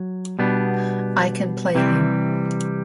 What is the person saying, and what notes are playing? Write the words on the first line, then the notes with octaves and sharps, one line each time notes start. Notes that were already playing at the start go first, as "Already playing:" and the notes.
I can play him.
Already playing: F#3
B2 G3 B3 D4
C3 E3 G3 C4